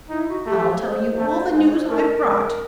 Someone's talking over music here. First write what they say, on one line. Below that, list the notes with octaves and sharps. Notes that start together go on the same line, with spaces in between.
I'll tell you all the news I've brought.
D#4 E4
F#4
A3 G4
G4
C#5
C5
A3
B4
G#3 C5
C#5
C5
A3 A#4
G#3